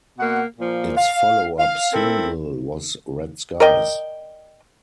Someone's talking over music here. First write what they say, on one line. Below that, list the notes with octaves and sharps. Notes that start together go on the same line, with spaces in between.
Its follow-up single was Red Skies.
B2 A#3 F#5
A#2 F3 A#3
F5
F5
C4 E4 A4 A#4
A#4 D5 D#5 G5